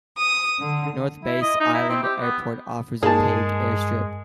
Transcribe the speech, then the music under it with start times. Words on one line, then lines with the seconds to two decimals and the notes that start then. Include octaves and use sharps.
North Bass Island Airport offers a paved airstrip.
0.18 D#6
0.59 D3
1.25 E4
1.42 D#5
1.60 D#4
1.74 E4
1.89 C4
2.03 G4
2.21 B3
3.03 G2 G#3 A#3 D#4 G#4 A5